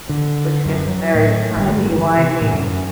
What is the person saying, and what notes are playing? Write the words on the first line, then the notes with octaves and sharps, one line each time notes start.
which gets very timey-wimey.
D3
F#2
F#3
A2
G1
E3
C3
A2
F#2